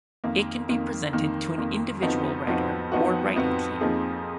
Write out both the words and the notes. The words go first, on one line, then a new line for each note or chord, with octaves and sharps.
It can be presented to an individual writer or writing team.
F2 D#3 A#3
F2 D#3 A#3
F2 D#3 A#3
F2 D#3 A#3
F2 F3 B3 D#4 F#4
F2 F3 B3 D#4 F#4
F2 F3 B3 D#4 F#4
F2 F3 B3 D#4 F#4
F2 F3 A#3 D#4 G#4